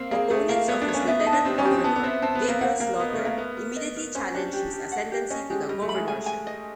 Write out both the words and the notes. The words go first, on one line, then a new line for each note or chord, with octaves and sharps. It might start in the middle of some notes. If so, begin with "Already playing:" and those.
Opponents of his lieutenant governor, Gabriel Slaughter, immediately challenged his ascendancy to the governorship.
Already playing: A#3 C4 F5
A#3 G#4
A3 G#4
A#3 F5
B3 C#5
D4
C#5
C#4
B3 E5
D#4
A5
D4
C4 G4
C#4
G4
C4
B3 A5
B3
C4 E5
C4 A5
B3
B4
A#3
A#3 F#5
A#3 A#4
B3 D#5
A3
A#4
A#3
B3 A#4
A#4
D#5
A#4
C#4 C5
D4 G4
G4
G4
F#5
G4
C#4 D#5
G#3 G4
G3 D#5
A3
B5
G#3
G#5
G#5
D#5